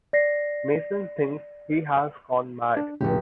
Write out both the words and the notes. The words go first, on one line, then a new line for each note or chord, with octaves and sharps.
Mason thinks he has gone mad.
D5 A#6 C7
D4
F1 A2 C#3 G4